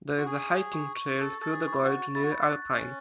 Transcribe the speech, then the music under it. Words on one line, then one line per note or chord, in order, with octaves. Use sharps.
There is a hiking trail through the gorge near Alpine.
F#4
G#4 C#6
C#6
C#6
C#6
A4 A6
A4 A6
G#4
E4 C#6
F#4
C#6
E4 A6
F#4
E4
F#6
A6
C#4